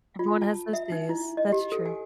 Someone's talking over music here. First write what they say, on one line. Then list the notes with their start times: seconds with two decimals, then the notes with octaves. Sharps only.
Everyone has those days. That's true.
0.19 F4
0.42 A5
0.73 E5
0.92 D#4
1.09 E4
1.37 D#5
1.52 G4
1.72 A4
1.86 G#5